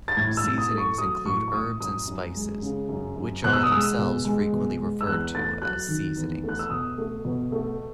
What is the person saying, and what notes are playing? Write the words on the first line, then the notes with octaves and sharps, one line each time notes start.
Seasonings include herbs and spices, which are themselves frequently referred to as "seasonings".
A6
A2 G#6
E6
A2
D#6
A3
C#6
F#3 D#6
A2 C#6
C#6
A2 D#6
F#2 D#6
F#2
G#3
C#3
F#2
F#2
B2 F#6
E6
D#6
G#3 E6
B2
G#3
B2
G#3
E6
E2 F#6
A3 A6
F#3 F#6
D#3
E2
A3
F#6
E6
B2 D#6
A3
B2
A3